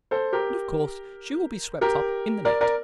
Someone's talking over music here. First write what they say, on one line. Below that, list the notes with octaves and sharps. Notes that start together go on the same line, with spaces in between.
But, of course, she will be swept up in the net.
A4 C5
G4 A#4
G4 A#4
A#4 D5
A#4 D5